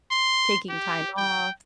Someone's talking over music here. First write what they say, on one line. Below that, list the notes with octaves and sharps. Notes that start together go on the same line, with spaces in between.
taking time off,
C6
G4
G5